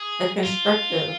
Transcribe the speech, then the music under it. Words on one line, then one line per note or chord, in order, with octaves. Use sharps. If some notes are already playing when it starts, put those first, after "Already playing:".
A constructive
Already playing: G#4
F4